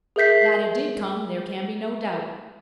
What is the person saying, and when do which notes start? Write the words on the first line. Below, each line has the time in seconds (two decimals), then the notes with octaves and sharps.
That it did come there can be no doubt.
0.16 G#4 A#4 E5 G6 B6 C7